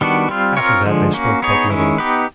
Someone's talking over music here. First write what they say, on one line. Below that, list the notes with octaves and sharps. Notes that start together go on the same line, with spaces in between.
After that they spoke but little.
D#3 G3 B3 D4 F#4
G3 C4 F4
C4 F4 A#4 C#5
D3 F3 G#3
A#3 C#4 F#4
B3 D#4 G#4 C#5
D#3 G#3 C#4 E4
B3 D#4 G4 B4